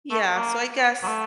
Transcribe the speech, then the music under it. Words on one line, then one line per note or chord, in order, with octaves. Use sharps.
Yeah. So, I guess,
A3
A#3
F#3
A3